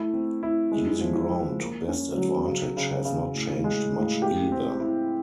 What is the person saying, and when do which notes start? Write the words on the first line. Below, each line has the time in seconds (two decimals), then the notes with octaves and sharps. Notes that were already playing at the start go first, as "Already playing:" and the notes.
Using ground to best advantage has not changed much either.
Already playing: A3 E4
0.14 C4
0.43 E4
0.72 G#3
1.01 F3
1.30 F3
1.59 A#3
1.89 C#4
2.18 F#3
2.47 C#3
2.77 C#3
3.05 C#3
3.34 A2
3.64 G#3
3.92 A2
4.22 G4
4.52 C4
4.80 E4